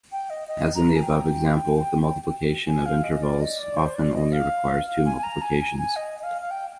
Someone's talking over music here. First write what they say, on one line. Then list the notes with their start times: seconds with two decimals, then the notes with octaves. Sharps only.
As in the above example, the multiplication of intervals often only requires two multiplications.
0.12 G5
0.30 D#5
0.48 D#5
0.75 A#5
0.96 G#5
1.03 G5
2.67 G#5
2.86 F5
3.04 D#5
3.22 D5
3.41 D#5
3.59 D5
3.77 C5
3.95 D5
4.14 D#5
4.33 F5
4.86 F5
5.06 G#5
5.18 G#5
5.23 A#5
5.42 G#5
5.60 G#5
5.79 G#5
5.96 D#5
6.19 D#5
6.23 F5
6.41 F5
6.51 G5